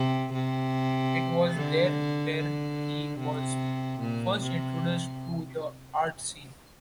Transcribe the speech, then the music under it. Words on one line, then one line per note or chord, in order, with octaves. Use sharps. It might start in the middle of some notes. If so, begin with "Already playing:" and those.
It was there where he was first introduced to the art scene.
Already playing: C3
C3
D3
D3
C3
A#2
C3